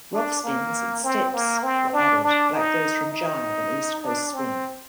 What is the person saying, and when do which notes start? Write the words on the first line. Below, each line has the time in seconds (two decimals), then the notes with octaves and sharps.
"Rock spins" and "steps" were added, like those from Jive and East Coast Swing.
0.13 D4
0.44 A#3
1.04 C4
1.34 A#3
1.63 C4
1.93 D4
2.23 D4
2.53 D#4
3.13 D#4
4.03 D4
4.34 C4